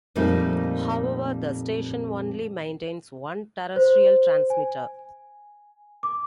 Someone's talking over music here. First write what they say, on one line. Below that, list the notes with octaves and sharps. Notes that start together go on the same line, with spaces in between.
However, the station only maintains one terrestrial transmitter.
F2 A#2 G3 A3 A#3 D#4
C5
G#5
D6